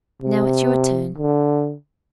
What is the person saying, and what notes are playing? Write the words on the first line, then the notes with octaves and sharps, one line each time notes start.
Now it's your turn.
C3
D3